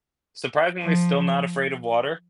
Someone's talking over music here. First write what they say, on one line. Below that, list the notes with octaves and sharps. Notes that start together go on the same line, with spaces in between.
surprisingly still not afraid of water.
F3